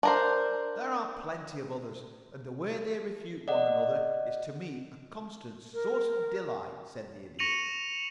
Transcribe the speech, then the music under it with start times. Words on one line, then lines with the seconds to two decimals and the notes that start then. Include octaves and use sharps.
"There are plenty of others, and the way they refute one another is to me a constant source of delight," said the Idiot.
0.03 D4 A#4 C5
3.48 D5 D#5 F#5
5.74 A#4
7.39 C#6 A#6 C#7 D#7 F7 F#7